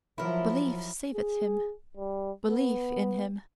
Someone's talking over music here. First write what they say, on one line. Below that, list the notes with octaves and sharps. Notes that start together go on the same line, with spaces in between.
Belief saveth him; belief in him.
F3 F#3 E4 A#4
G#4
G3
B3